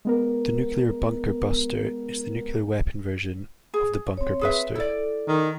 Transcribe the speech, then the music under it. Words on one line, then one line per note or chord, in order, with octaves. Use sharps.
The nuclear bunker buster is the nuclear weapon version of the bunker buster.
G#3 B3 A#4
G#4
C4 C#5
G#4 B4 E5
E4 A4 D5
D#3